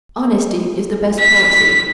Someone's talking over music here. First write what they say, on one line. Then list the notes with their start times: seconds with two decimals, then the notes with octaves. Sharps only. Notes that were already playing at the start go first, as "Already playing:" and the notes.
Honesty is the Best Policy.
1.20 B6